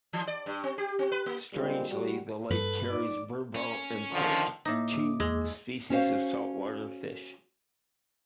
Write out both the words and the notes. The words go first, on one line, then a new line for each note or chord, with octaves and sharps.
Strangely, the lake carries burbot and perch, two species of saltwater fish.
E3
D5
G2
C4
G4
C4
B4
A#3
A#2 D3 G3 G#3 C4
G3 F#4
G2 A4 B4
D#4 D5
C#4
D3 D#3 F3
A2 A#3 D#4 D6 D#6
E2 G#3 G#4 E6
C#4 F#4 C5 F5